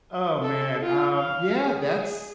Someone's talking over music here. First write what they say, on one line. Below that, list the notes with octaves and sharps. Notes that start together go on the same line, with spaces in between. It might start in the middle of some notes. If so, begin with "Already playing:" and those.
Oh, man. Um, yeah. That's
A4
F4
F5
G#4